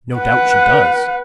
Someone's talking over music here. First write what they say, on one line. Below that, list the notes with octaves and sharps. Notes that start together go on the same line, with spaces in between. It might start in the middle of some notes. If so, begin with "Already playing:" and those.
No doubt she does.
B4 F#5